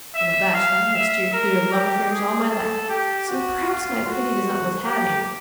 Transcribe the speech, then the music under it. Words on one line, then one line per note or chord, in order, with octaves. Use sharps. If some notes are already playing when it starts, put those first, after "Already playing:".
I'm a bachelor, and have steered clear of love affairs all my life; so perhaps my opinion is not worth having.
E5
F5
E5
A#4
G4
G#4
A4
G4
F#4
F4
F#4
G4